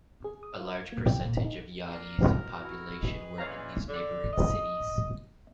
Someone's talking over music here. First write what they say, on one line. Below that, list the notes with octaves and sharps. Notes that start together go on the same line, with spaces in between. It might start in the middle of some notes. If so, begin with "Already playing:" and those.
A large percentage of Yagi's population work in these neighboring cities.
G#4
D#6
F4
G#6
A#3
G5
A#2
D#4
A#3 D4 F4 A#4
B2 E3
E4 F#4
G#4 B4 D#5
A#2 E3 C#4 F4 C#5 F5 A#5
D3
D#5